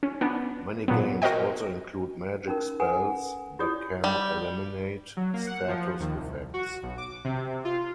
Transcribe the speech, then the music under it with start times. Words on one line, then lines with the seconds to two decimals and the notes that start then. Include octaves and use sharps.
Many games also include magic spells that can eliminate status effects.
0.03 C#4
0.21 B3 D4
0.88 A#2 F#3 B3
1.22 F#4 A#4 C5 D#5 G5
2.48 C#4 D#4 A#4
2.80 A4 B4 F#5 G#5
3.59 E4 F4 G4 C#5 D5 D#6
4.04 G3
5.17 F#3
5.33 A#3
5.47 F#5
5.68 F3
6.00 D#2
6.16 C2
6.54 F#4
6.83 B1
6.98 D6
7.24 C3
7.65 F4